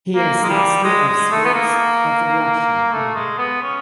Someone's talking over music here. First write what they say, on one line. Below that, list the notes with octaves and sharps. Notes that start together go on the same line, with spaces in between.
He is Master of Sports of Russia.
A#3
G#3
G3
G#3
G#3
A3
B3
A#3
A3
G#3
B3
C#4